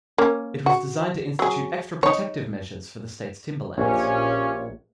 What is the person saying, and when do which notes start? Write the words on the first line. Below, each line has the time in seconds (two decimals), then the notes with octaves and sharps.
It was designed to institute extra protective measures for the state's timberlands.
0.18 A#3 C#4
0.66 F#4
1.39 F#3 G#4
2.03 D#4 C#5
3.78 A#1 C#4 F4 G4 C#5